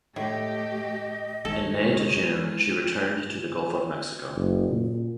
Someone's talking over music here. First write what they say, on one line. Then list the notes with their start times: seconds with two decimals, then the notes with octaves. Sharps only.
In May-June, she returned to the Gulf of Mexico.
0.16 A2 A3 G4 D#5
1.45 D#2 D3 G#3 D#4 A4 C#5
4.36 F#1
4.71 A#2